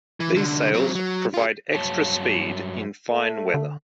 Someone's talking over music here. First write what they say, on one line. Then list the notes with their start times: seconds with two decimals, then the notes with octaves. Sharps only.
These sails provide extra speed in fine weather.
0.20 E3
0.36 C2 D3
0.74 F#3 C4
0.95 F#3
1.34 F4 G#4
1.75 G2 F#3 C#5 A5
3.11 A3
3.54 D3